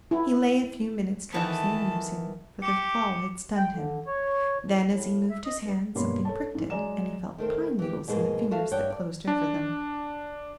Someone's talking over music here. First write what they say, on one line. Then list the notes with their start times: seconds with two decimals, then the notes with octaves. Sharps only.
He lay a few minutes drowsily musing, for the fall had stunned him; then, as he moved his hand something pricked it, and he felt pine-needles in the fingers that closed over them.
0.11 E4
1.32 D#3 E3 A3 B3 A5
2.62 G4 D6 C#7
3.57 G5
3.74 D3
4.07 C#5
4.63 A2
4.88 A2
5.30 E5
5.45 D#5
5.62 G2
5.95 G2 B2 A#3 C#5 B5 C6
6.25 A4 C#5 A5
6.55 G#2 E3
6.70 F#3 G#3 D5 G#5 A#5 E7
7.38 D#3 A3 C4
7.79 E3 G4
8.08 G#2 B2 G#3 A#3
8.51 F#4 A4 E5 F5
8.71 G2 C#5 F#5 G5
8.90 D5
9.27 D4